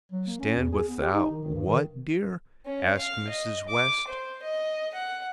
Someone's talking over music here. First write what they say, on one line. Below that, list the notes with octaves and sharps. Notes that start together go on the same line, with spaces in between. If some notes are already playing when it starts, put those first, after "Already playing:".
"Stand without what, dear," asked Mrs. West.
F#3
A#3
C#4
E2
G#4
B3
G4
D#4
D#3
D#3
G2
D#3
C#4
F5
D#5
D6
C5
D#5
F#5